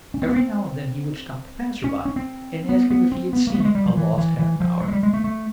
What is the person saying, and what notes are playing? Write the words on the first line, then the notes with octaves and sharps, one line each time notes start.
Every now and then he would stop a passer-by and ask him if he had seen a lost half-hour.
C#4
C4
B3
C4
C#4
C#4
C4
B3
B3
C4
B3
A#3
B3
A3
G#3
G3
F3
E3
E3
E3
F3
F#3
G#3
G3
G#3
A3
A3